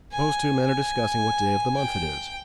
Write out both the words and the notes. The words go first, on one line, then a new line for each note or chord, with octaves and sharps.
Suppose two men are discussing what day of the month it is.
G#5
G#5
G5